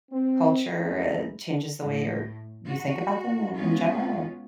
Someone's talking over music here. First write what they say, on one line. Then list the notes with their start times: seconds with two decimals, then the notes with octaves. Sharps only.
culture, uh, changes the way you're you think about them in in general, or
0.11 C4
0.72 E3 A3 C#4 D#4 G#4 B4
1.82 A2
2.65 F#4
3.55 B2 G#3 B3 C#4 F4